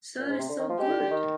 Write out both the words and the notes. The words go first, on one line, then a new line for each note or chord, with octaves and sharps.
Sir is so good!
A#2
G#2
C3
D3
D#3
F3
G#3 G4
D3
D3
D#3